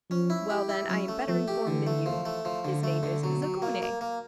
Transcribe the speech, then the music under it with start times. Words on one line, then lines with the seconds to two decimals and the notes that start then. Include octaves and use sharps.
"Well, then, I am better informed than you; his name is Zaccone."
0.11 F3 C#4
0.30 E4
0.50 G4
0.69 E4
0.89 F#3 C#4
1.08 A3
1.28 F3 A3
1.48 G4
1.67 D3 E3
1.87 A3
2.06 F3
2.25 A3
2.45 F3
2.65 D3
2.83 A3
3.03 D3
3.23 B2 F#3
3.42 F#3
3.62 A#3
3.82 A#3
4.01 A#3